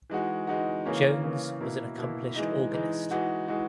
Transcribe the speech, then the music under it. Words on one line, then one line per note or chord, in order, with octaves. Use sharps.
Jones was an accomplished organist.
E3 G#3 D#4 F#4
E3 G#3 D#4 F#4
C#3 E3 A#3 C#4
C#3 E3 A#3 C#4
B2 A#3 E4
B2 A#3 E4
E3 G#3 D#4
E3 G#3 D#4
E3 G#3 D#4 F#4
E3 G#3 D#4 F#4